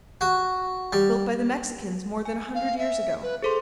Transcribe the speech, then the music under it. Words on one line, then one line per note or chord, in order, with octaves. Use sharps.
"Built by the Mexicans more than a hundred years ago."
F#4
G3
G#5
F5
E5
B4
G#4 A4 C5 C6